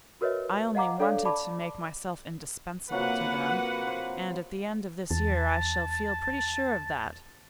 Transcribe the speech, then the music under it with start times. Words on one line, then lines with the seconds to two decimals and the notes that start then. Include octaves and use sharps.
'I only wanted to make myself indispensable to them, and at the end of this year I shall feel pretty sure of that.
0.21 F#4 A#4 B4 C#5 D#5 E5
0.75 D#5 F5 F#5 A#5 D6
0.99 D4 A4 C#5 D5 F5
1.25 D5 A5 B5 D6
2.92 C3 F#3 A#3 F4 B4 F#5
3.87 C5
5.11 E2 A5